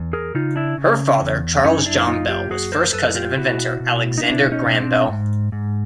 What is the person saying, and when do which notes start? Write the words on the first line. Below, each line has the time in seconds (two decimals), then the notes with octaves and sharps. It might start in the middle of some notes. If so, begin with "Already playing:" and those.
Her father Charles John Bell was first cousin of inventor Alexander Graham Bell.
Already playing: E2
0.13 G#4 A#4
0.35 C#3 D#4 F4
0.56 D4 E4
0.78 C#3
1.21 E2
1.64 F#2 C#4 D#4
1.86 D4 E4
2.07 A#3 D#4 F4
2.28 F4 G4
2.50 F#2 F#4 G#4
2.72 A#4 C5
2.93 F#2 A4 B4
3.15 F4 G4
3.37 B2 E4 F#4
3.80 B2
4.18 D#4
4.23 B2 D4 E4
4.52 C#4 D#4
4.66 B2
4.80 C4 D4
5.09 G#2
5.52 G#2